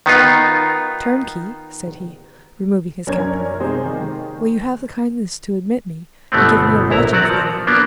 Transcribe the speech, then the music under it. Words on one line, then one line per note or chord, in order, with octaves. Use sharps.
"Turnkey," said he, removing his cap politely, "will you have the kindness to admit me, and give me a lodging for the night?"
D#3 B3 D#4 F4
F#2 C#4 D4 A#4 C#5 G#6
C3 G#3 D#4 G#4 C5
D#3
G1 B2 A3 B3 C4
A#1 E4 A#5
F#3 C4 F#4 D5
F3
A#3 B3 D4